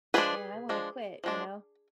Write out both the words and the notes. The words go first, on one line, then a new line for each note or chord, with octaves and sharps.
and I wanna quit, you know?"
F3 G#3 D4 G#4 B4
F3 G#3 D4
F3 G#3 D4